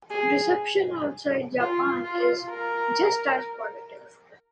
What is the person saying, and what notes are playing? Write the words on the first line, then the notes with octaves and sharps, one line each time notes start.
Reception outside Japan is just as positive.
G#4
F4
F4
A#4